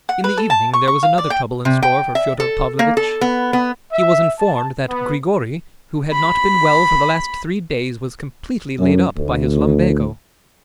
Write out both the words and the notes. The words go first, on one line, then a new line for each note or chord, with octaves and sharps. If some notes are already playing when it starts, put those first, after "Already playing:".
In the evening there was another trouble in store for Fyodor Pavlovitch; he was informed that Grigory, who had not been well for the last three days, was completely laid up by his lumbago.
F#5
B4
A4
A5
C#6
C#6
F5
D5
G5
C3
G5
E5
A4
A#3
A4
B3
B3
E5
A5
B3
B5
F#2
D2